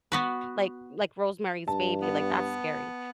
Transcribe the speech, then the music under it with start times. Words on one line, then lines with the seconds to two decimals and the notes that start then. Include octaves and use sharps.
like like, Rosemary's Baby, like, that's scary,
0.12 B3 F#4 B4
1.68 G2 A5
2.01 B3